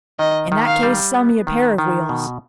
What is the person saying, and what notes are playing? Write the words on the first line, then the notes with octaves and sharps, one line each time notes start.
"In that case, sell me a pair of wheels."
D#3 D#5
D#3
F5
G3
B3
D#3
D#3
B2